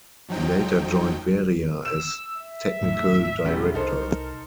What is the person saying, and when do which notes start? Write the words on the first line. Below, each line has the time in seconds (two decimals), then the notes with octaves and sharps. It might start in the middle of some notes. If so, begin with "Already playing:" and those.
He later joined Veria as technical director.
0.29 F#2 F3 F#3 D#4 G5
1.85 E6 E7
2.37 E5
2.81 F2 A2 D#3
3.45 E1 G3 C#4
3.74 C2 D#4 A4 A#4 C5